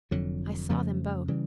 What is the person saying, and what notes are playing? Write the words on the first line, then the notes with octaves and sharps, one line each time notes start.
I saw them both.
F1 F2 D3 F#3
F2 C#3 F3 A3
C#3 E3 G3